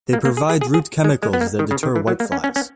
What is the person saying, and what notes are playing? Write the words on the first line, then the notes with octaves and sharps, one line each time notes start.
They provide root chemicals that deter whiteflies.
A#3
A#3
G#4
G#4
G#4
G#4
G#3
G#3
B3
A#3
D#3
C#3
D#3
E3
F#3
A#3
C#4
C#4
C#4